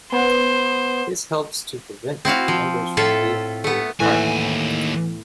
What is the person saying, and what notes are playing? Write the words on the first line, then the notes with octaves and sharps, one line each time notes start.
This helps to prevent the members from being pulled apart.
B3 C5
C4 E4 F#4 F5
F3
A2 F4 A4 E5
A3 B3
D#2 A2 E3 B3 G#5